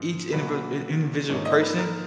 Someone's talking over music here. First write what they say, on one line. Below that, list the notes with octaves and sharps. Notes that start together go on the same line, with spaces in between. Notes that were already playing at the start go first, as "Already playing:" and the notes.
each indivd in individual person,
Already playing: G#2 F3 A#3
B1 A#2 F#3 B4
G#2 F3 A#3 C#5
D#5
B4
A#4